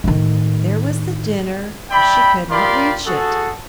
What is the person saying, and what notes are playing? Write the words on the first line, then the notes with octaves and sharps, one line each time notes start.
There was the dinner, but she could not reach it.
A2 D#3
D5 E5 G5 B5
F4 G4 A#4 D5 B5 C6
F#4 G#4 A4